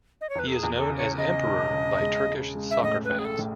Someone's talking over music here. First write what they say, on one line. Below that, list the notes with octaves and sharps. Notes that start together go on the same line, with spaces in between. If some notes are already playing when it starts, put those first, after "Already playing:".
He is known as "emperor" by Turkish soccer fans.
D#5
C#5
E2 B4
A4
G#4
E2
A4
C#3
C#5
C#3 D#5
E1
C#3
G#3
G#3
G#3
E5
A2 D#5
B4
A1
G#4
A4
A2